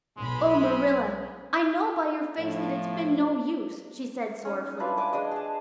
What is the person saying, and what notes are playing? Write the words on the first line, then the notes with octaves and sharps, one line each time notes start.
"Oh, Marilla, I know by your face that it's been no use," she said sorrowfully.
B1 G#3 B5
A2 F3
C#4 D#4
D4 E4 F4 B4
D5 G#5 D6
G#3 D4 D5 D#5
G#4 A5